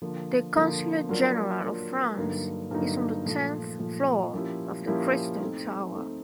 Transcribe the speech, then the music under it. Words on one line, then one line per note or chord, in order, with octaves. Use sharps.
The Consulate-General of France is on the tenth floor of the Crystal Tower.
D3 F3 A#3
D3 F3 A#3
F#3 A#3 D4 F4 A#4
F#3 A#3 D4 F4 A#4
G2 D3 F#3 A#3 D#4
G2 D3 F#3 A#3 D#4
A#2 F3 A3
A#2 F3 A3
F3 A#3 C#4 E4 G4
F3 A#3 C#4 E4 G4
A3 C4 D#4
A3 C4 D#4